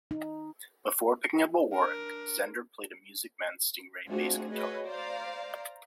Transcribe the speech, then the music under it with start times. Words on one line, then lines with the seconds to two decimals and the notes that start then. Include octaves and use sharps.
Before picking up a Warwick, Zender played a Music Man Stingray bass guitar.
0.11 D#4
1.73 D4 A#4
4.08 A3 C4 D4 F4 F#4 G#4
4.51 F#4 G#4 B4 C#5 D#5
4.87 C5 D5 F5 A#5